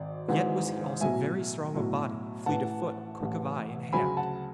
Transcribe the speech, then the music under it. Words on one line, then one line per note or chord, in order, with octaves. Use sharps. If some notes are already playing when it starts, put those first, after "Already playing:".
Yet was he also very strong of body, fleet of foot, quick of eye and hand.
Already playing: G#1 D5
G#1 G#2 E3
B1 A2 F#3 E5 G#5
B1 A2 F#3
A1 A2 E3 F#5 A5
A1 A2 E3
D2 C#3 F#3 G#5 B5
F#5 A5